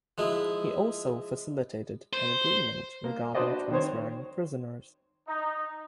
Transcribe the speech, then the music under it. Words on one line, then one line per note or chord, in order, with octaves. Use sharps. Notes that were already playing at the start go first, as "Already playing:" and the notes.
He also facilitated an agreement regarding transferring prisoners.
F3 G#3 E4
C5
A#3
D4 F#4 B4 C5 D5 D#5
D#3 C4 C5 C#5
D#4